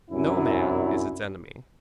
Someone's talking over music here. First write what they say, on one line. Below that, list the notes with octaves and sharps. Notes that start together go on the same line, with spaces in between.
No man is its enemy.
C2 F#2 C#4 D4 E4